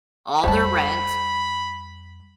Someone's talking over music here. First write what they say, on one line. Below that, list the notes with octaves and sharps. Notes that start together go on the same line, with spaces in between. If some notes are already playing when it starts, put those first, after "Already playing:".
all their rent,
F2 G3 C5 C#5 A5 B5